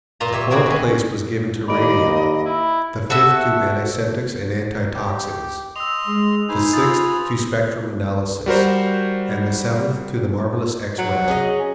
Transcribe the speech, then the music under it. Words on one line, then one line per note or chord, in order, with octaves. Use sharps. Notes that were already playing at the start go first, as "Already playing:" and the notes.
The fourth place was given to Radium, the fifth to Antiseptics and Antitoxines, the sixth to Spectrum Analysis, and the seventh to the marvelous X-Ray.
A#2 F4 A#5
G4 C#5 E5
C4 F#4 G#4 A#4 C#5
B2 C#4
D#2 D5 D#5 B5 D7
E4
F#4 A4 E5
G4
D#5 C6 E6 F7
G#3
D#4 B4 C5 G#5
F4 D#6 E6 A6
G3 F#4 A#4 C5
F#3
C#4 G#4 D#5